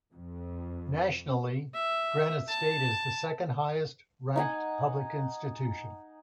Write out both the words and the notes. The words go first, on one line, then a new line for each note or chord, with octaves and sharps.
Nationally, Granite State is the second-highest ranked public institution.
F2
E5
A5
D#4 F#5 G#5